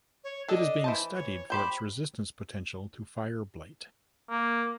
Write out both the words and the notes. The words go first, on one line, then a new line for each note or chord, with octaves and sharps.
It is being studied for its resistance potential to fire blight.
C#5
D4 A4 D#5
E3 C5 A5
C#5
G4 C5 G5 B5
A#3